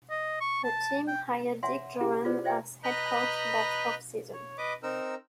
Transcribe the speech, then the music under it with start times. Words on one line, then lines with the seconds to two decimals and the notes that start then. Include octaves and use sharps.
The team hired Dick Jauron as head coach that off-season.
0.10 D#5
0.41 C#6
0.64 A5
1.08 G5
1.63 C#5 E5 F#5 G#5 C6
2.00 C#4 E4 G4 G#4
2.25 F4 G#4 B4 C5 D5
2.44 C5 D5 E5 G5 G#5
2.83 B4 D#5 A#5 B5 F#6 G6
4.33 C#5
4.58 B4 D#5 D6
4.83 C4 D#4 A#4 E6